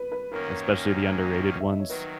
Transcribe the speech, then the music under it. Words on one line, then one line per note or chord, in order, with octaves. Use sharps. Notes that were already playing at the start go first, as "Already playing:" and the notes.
especially the underrated ones.
Already playing: B4
B4
F#2 D#3 A#3 C#4 A#4
E5
D#5
C#5
D#3 F#3 B4